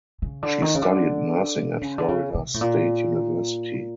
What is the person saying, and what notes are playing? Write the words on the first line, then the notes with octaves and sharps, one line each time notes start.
She studied nursing at Florida State University.
C#3
D3
D#3
C#3
D3
C#3
D3
C#3
C3
A2
A#2